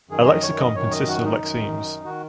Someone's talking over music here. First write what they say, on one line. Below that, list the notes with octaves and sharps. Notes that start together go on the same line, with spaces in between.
A lexicon consists of lexemes.
F#2 D#3 G#4
D#5
C#5
D#5
F#2 D#3 C#5
D#5
F#4
D#4
F#2 D#3
D#3 F#4